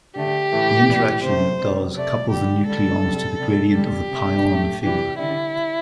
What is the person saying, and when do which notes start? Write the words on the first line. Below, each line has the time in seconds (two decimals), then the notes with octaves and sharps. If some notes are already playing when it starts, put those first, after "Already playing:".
The interaction that does couples the nucleons to the "gradient" of the pion field.
0.16 D3 A3 G4
0.52 A2 E3 A3
0.88 A2 E3 G3
1.23 C3 A3 C5
1.59 C3 G3
1.95 C3 A3 D5
2.30 D3 G3 G4
2.67 D3 G3 A4
3.02 C3 G3
3.39 C3 G3
3.74 D3 G3 G4
4.10 C3 A3
4.46 A2 A3
4.82 C3 E3 G3 G4
5.17 D3 G3 E4